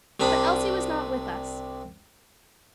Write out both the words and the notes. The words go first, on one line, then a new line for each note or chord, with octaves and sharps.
But Elsie was not with us.
C2 C3 D4 B5 D#6